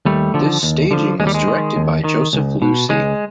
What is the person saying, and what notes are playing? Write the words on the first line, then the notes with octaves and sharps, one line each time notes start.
This staging was directed by Joseph Losey.
D#2 G3 A3
D3 F3
D#2
D3 F3
D#2 G#3
G3
G#3
D#3
D#2
D#3
C#2
B2
C#2 G#3